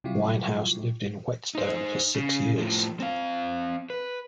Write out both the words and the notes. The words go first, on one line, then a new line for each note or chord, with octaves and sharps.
Winehouse lived in Whetstone for six years.
C3 F#3 G3 E4 F4
D#4 C5
C#3
A2 F3
C4 F5
B4